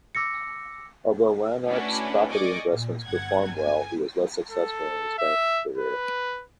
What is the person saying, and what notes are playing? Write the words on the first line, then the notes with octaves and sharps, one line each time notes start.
Although Larnach's property investments performed well, he was less successful in his banking career.
D6 E6 A#6 C#7
A3 C#4 D4 E4 F#4 B4
D5 D#5 G#5 C#6 D6
A#2
G1 F#5 G#6
G#5
A4
E5
B4